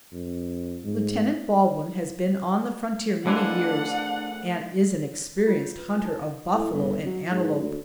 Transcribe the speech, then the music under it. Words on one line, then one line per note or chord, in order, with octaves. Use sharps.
Lieutenant Baldwin has been on the frontier many years, and is an experienced hunter of buffalo and antelope.
F2
G#2
F2 D3 E3 A3 D4 G#4 A#4 F#5
F4
C#5
B4
G#5
D#4
A2
G1
F#3
G#2
D2